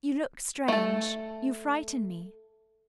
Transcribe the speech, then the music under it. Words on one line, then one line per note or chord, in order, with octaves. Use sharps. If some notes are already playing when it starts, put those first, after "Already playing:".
"You look strange, you frighten me."
A3 A4